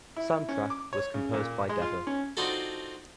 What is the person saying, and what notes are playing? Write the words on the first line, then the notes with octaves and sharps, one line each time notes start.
Soundtrack was composed by Deva.
E4
C#4
D6
C#5
C#3
A#2
G#3
F4
C#4
C4 D4 D#4 F4 F#4 A4